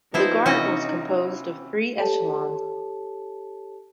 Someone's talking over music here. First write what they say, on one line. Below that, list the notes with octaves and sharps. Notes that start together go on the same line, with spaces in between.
The Guard was composed of three echelons.
F3 B3 D#4 E4 C5
C3 E3 C#4 F4 F#4 D#5
G4 A4 C#5 A5